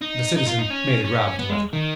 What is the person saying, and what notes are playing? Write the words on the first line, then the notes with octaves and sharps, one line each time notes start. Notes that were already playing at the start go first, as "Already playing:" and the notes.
The citizen made a grab at the letter.
D#4
D#4
F4
D#4
C#4
C#4
B3
G#3
D#3